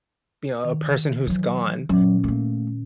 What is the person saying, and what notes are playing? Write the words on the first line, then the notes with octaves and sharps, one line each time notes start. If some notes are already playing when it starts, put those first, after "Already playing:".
you know, a person who's gone,
D#3
E3 F#3
A#2 F#3 C#4
A#2 A3 A#3